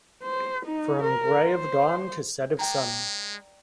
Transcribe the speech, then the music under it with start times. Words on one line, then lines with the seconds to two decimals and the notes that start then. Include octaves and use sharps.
From gray of dawn to set of sun!
0.24 C5
0.66 D#4
1.02 A#4
1.50 C5
2.59 G#3 D5 G5 A#5